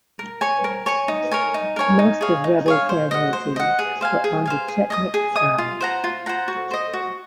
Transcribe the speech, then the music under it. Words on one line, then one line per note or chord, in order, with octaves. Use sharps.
Most of rebel casualties were on the Chetnik side.
A#4
C#5 G#5 C#6
A#4
C#5 G#5 C#6
D#4
A#4 C#5 G#5
D#4
A#4 C#5 G#5
D#4
G#4 C#5 F5
D#4
G#4 C#5 F5
C5
D#5 F#5
C5
D#5 F#5
G#4
C5 F5 G#5
G#4
C5 F5 G#5
G#4
D#5 G#5 D#6
G#4
D#5 G#5 D#6
F4
C5 F#5 A#5
F4
C5 F#5 A#5
F#4
C5 D#5
F#4